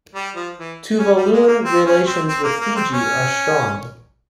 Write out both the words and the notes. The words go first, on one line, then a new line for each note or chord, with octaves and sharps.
Tuvaluan relations with Fiji are strong.
G3
F3
E3
C#4
G3
G#3
A#3
C4
C#4
C4
C4
A#3
A#3
C4
C#4